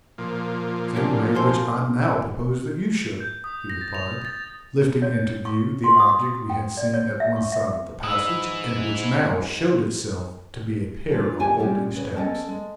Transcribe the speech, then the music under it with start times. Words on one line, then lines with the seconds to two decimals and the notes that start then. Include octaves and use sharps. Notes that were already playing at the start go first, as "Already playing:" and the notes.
"The same way in which I now propose that you should," he replied, lifting into view the object we had seen at one side of the passage, and which now showed itself to be a pair of folding steps.
0.18 A#2 F3
0.96 F#2 D4 G4
1.35 G#2 A4 C5
3.20 G6
3.44 D#6
3.70 A#6
3.81 A6
3.94 F7
4.25 A6
5.02 C#5
5.45 C#6
5.84 C6
6.00 D#6
6.50 G5
6.77 D5
6.94 C#5
7.20 E5
7.36 C#6
7.52 E5
8.03 G#2 E4 B4 D#6 E6
11.08 E3 G3 D4 D#4 F4
11.39 D2 A2 D#3 G4 G#5 A5
11.59 G3 G#3 C#4 G4 G#4
11.95 C#3 B4
12.16 B3 C#4 A4 D#5 G5 A5
12.49 G#3